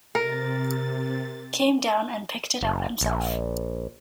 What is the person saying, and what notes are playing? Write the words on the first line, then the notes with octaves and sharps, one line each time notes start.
Came down and picked it out himself.
C3 A#4 A6
F#1
A#1